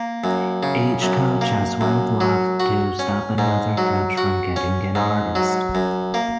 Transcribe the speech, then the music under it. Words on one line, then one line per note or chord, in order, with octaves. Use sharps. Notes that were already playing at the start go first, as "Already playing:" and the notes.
Each coach has one block to stop another coach from getting an artist.
Already playing: A#3
F#2
C#3
F#2
A#3
F#2
F#3
F#4
C#4
G#2
F#3
F#4
C#4
G#2
F#3
F#2
A#3